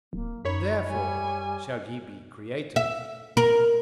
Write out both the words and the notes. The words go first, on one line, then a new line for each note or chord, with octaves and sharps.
Therefore shall ye be creators!
D1 A#3
F#2 D#4 C#5 B5
G3 G#5
E5
A#4